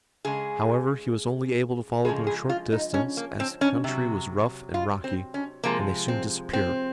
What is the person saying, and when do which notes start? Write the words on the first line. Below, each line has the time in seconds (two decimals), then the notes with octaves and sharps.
However, he was only able to follow them a short distance, as the country was rough and rocky, and they soon disappeared.
0.25 C#3 G#3 G#4
2.05 C#3 F3 G#3 G#4
2.27 G#4
2.49 F4
2.72 D#4
2.94 C#4
3.17 A#3
3.40 C4
3.61 C#4
3.84 C3 F#3
4.74 F4
5.04 C4
5.34 C#4
5.63 C3 F3 G#3 A#3
6.08 C4
6.53 C4